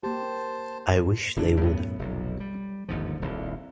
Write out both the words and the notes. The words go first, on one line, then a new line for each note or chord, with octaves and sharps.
I wish they would.
A#3 G4 C5 A5
D1 E2 A2 D4
F#2 A2 B3
F1 B1
G3
G1 D#2 G#2 F3
D#1 C2